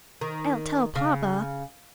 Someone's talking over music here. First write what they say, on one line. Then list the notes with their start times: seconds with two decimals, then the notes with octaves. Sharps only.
"I'll tell papa."
0.21 D#3
0.95 C#3